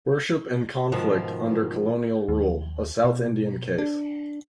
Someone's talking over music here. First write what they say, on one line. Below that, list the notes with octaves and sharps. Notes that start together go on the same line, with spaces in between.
Worship and Conflict Under Colonial Rule: A South Indian Case.
G#2 B2 D#3 F3
D#2
B2
D4